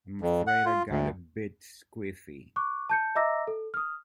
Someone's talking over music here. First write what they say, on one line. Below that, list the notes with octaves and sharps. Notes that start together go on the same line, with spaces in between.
I’m afraid I got a bit squiffy.
F2
F#5
F4
D2
C#6 D6 F#6
A5 G6 C#7
D#5 E5 A#5 D6 E6 A#6
A4
D#6 F6